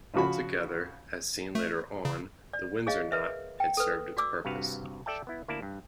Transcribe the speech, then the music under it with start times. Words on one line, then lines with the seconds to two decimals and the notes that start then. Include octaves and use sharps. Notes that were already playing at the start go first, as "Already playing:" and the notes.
Altogether, as seen later on, the Windsor knot had served its purpose.
0.14 C#3 F3 F#4 B5
1.55 A3
2.05 C#3
2.53 D5
2.87 G#4 C#5 D#5 F5
3.12 A#4 B4 E5
3.60 G5
3.77 A4 B4
4.17 F#4 D5 D6 E6
4.45 G2 C3 F#4 B4 F5
5.06 A4 D5 E5 G5 A5
5.27 B3 E4
5.48 D2 A#3 E4 D5 A5
5.62 G2